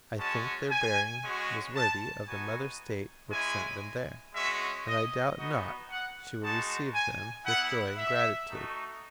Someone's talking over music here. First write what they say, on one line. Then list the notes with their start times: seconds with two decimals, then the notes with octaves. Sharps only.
I think their bearing was worthy of the mother-State which sent them there; and I doubt not she will receive them with joy and gratitude.
0.18 G#3 C#4 F#4 A5
0.70 G#5
1.22 G#3 C#4 F#4
1.74 A5
2.26 B3 D#4 F#4 G#5
3.30 G#3 C#4 E4 G#5
4.33 G#3 C#4 F#4 E5
4.86 D#5
5.37 B3 D#4 F#4 D#5
5.90 F#5
6.40 G#3 D#4 F#4 A5
6.93 G#5
7.44 B3 E4 F#5
7.97 E5
8.48 A3 D#4 F#4